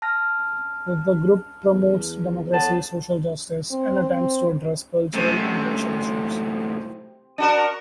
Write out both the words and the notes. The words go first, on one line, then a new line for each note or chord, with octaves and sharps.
The group promotes democracy, social justice, and attempts to address cultural and racial issues.
A5 F6 A#6
E2
A4 C#5 F#5 A5
C4
C4
F#2 A2 C3
D4 F#4 A#4